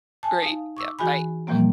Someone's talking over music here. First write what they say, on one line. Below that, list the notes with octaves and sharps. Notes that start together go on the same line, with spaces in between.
Great. Yeah, bye. Mm
G#5 A5
D#4 F5
C#6 D6 E6
E3 F#4 G#4 G#5 B5
A#2 E3 F3 G3 A#3 C4